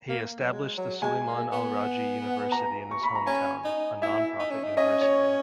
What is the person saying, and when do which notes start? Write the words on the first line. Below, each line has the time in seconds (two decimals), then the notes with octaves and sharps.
He established the Sulaiman Al Rajhi University in his hometown, a non profit university.
0.09 A#3
0.41 F#3
0.53 G#3
0.77 F#3
1.02 G#3 G#5
1.27 A#3
1.52 B3
2.52 A#5
2.91 C#6
3.03 B5
3.15 A#5
3.26 C#4 G#5
3.64 D#4
4.02 E4 E5
4.39 D#4
4.51 C#4
4.64 D#4
4.77 C#4 D#5
5.01 C#5